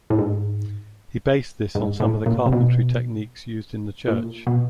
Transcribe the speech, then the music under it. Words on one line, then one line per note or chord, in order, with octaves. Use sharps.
He based this on some of the carpentry techniques used in the church.
A2
G#2
G#2
A2
A#2
C3
B2
A#2
B2